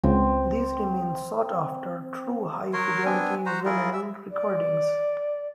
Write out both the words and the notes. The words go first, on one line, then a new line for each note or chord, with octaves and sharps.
These remain sought-after true high fidelity vinyl recordings.
C#2 C4
F#3 A#4 C#5 C6
B3 C4 D4 G#5
F#4 C5 A#5
E4 F4 G#4 A#4
E5
D5